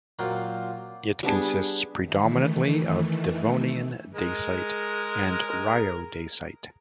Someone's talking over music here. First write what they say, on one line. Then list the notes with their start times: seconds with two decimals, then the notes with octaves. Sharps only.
It consists predominantly of Devonian dacite and rhyodacite.
0.19 A#2 F#3 A#3 C4 F4
1.23 G3 B3 D4 G#4
2.01 D#3 E3 A3
4.14 G#3 A#4